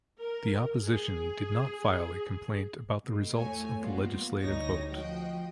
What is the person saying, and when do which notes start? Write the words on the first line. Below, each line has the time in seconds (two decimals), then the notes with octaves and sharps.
The opposition did not file a complaint about the results of the legislative vote.
0.19 A#4
0.82 G#4
3.06 B2 A3
3.36 E2 A2 A3 C#5 G#5
3.80 G3 A#3 B3 F4 F#4
4.40 D2 G3 D#4 C#5 A#6
4.93 F3 F#4 D#5 G5